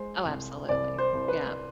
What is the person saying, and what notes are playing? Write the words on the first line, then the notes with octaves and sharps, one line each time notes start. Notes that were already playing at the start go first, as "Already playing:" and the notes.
Oh absolutely, yeah.
Already playing: G#3 C5
C2
C2 D5
C5
C2
B4